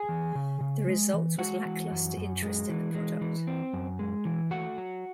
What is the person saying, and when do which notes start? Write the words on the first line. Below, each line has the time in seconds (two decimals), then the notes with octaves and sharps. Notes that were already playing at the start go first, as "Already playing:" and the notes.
The result was lackluster interest in the product.
Already playing: G#4 G#5
0.09 E3
0.35 C#3
0.61 C#3
0.87 G#3
1.13 E3
1.38 G#3 F#4 F#5
1.65 E3
1.91 F#2
2.17 F#2
2.43 G#3
2.69 E3
2.95 G#3
3.21 E3
3.47 C4
3.73 F#2
3.99 G#3
4.25 E3
4.51 A3 F#4 F#5
4.78 F#3